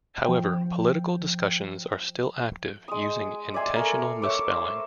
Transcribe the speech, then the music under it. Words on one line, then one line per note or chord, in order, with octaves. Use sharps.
However, political discussions are still active using intentional misspelling.
F3 G5
G#3 D#6
D5 E5 G#5 C6
A3 A#4
C#5 E5 D6
C5